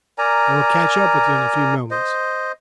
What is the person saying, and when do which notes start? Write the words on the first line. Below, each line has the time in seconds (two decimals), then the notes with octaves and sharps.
I will catch up with you in a few moments.
0.18 A#4 D5 G#5 A#5
1.91 C5 D#5